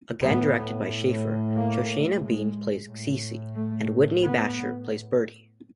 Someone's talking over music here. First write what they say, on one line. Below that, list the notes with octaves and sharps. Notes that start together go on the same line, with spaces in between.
Again directed by Schaeffer, Shoshana Bean plays Cee Cee and Whitney Bashor plays Bertie.
A2 B3
A#3
G#3
A2
A3
B3